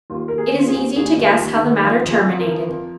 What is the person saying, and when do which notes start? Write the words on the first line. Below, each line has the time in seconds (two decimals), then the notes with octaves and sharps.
It is easy to guess how the matter terminated.
0.10 D#2 F4
0.28 D#2 A#4
0.38 G#4
0.53 D#3
0.58 F4
0.67 G#4
0.74 D#2
0.96 D#2 G#4
1.17 D#2
1.25 F4
1.40 D#2
1.54 D#4
1.60 D#3
1.82 F3 F4
2.04 F2
2.10 G#4
2.25 F3
2.40 A#4
2.47 F3
2.68 F2